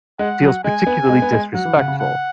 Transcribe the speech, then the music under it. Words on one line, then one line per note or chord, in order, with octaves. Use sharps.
feels particularly disrespectful.
G#3 F#5
F#3
G#3 G#5
B3
G#3
B3
G#3
F#3 F#5
E3
C#3
C#3
F#5